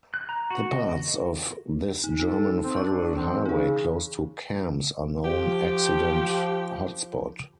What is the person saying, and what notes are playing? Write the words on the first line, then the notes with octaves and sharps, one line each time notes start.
The parts of this German federal highway close to Cambs are known accident hotspot.
F#6
A#5
F#4
D#5
D#4
D#4 A4
C4
D4 C#6
E3 C4
C#3 D#4 G#4
F3 G4